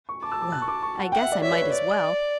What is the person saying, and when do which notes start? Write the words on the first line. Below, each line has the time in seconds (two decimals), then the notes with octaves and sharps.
Well, I guess I might as well.
0.09 C#6
0.22 A5 D6
0.32 E6
0.42 D6
0.52 F#6
0.62 C#6
0.68 D6
0.83 C#6
0.98 F#5
1.12 F#5 G5
1.22 E5
1.32 D5
1.42 C#5 E5
1.52 B4
1.62 C#5
1.73 D5